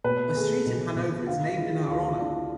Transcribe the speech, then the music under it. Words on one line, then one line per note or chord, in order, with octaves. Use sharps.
A street in Hanover is named in her honor.
B2 B4
A3 G#4
B1
B1
D3 F4
G#3 E4
D2 F4
E4
D2 D4
E4